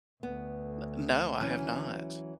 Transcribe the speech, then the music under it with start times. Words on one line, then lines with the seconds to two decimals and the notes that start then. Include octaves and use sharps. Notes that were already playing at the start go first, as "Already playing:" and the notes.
N no, I have not.
0.23 D2 B3
1.41 E3 F#3 C#4